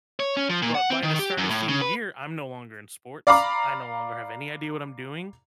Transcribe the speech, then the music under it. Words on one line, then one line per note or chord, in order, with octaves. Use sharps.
But by the start of senior year, I'm no longer in sports. I no longer have any idea what I'm doing,
C#5
C#4
F3
A#2
F#5
C4
D#3
G4
F#2
A2
C#3
B4
D5 F5 A#5 B5 D6